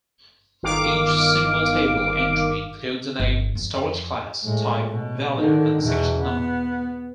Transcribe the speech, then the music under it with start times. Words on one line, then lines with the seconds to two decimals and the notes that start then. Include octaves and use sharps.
Each symbol table entry includes a name, storage class, type, value and section number.
0.63 G1 D#3 F5 D6
3.20 G1
3.55 F2
4.44 A2 G#3
4.90 B2
5.36 D3 D#3
5.81 E2 B2
6.19 B3